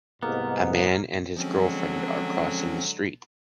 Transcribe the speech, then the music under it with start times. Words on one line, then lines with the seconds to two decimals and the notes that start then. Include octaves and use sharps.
A man and his girlfriend are crossing the street.
0.22 C2 G#2 A#3 B3
1.37 D3 F3 F#3 G#3 C4 C#4